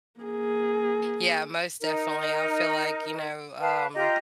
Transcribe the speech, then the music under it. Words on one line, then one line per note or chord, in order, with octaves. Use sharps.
Yeah, most definitely. I feel like, you know, um,
A#3 G#4
D#4 A#4
B4 F5 A5
F4 G4 D#5 A#5